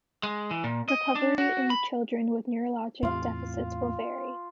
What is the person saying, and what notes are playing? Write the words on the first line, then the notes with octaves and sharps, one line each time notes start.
Recovery in children with neurologic deficits will vary.
G#3
E3
A#2
D#5
D4
F#4
B5
E2 A2 C4 F4 F5